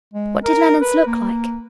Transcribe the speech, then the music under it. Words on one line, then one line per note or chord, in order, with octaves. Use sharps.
What did Leonards look like?'
G#3
A#4
B4
A#3